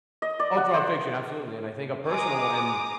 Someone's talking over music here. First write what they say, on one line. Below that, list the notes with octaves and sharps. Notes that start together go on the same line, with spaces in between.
All throughout fiction, absolutely. And I think a personal one
D#5
D5
F#5
C5
G#3 A#5 D6 D#6